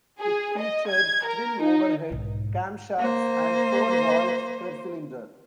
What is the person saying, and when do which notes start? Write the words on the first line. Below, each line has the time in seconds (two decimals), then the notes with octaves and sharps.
It featured twin overhead camshafts and four valves per cylinder.
0.20 G#4
0.59 D#5
0.90 G#6
1.26 A#4
1.63 D#4
2.11 B1 G#2
2.99 A#3 C5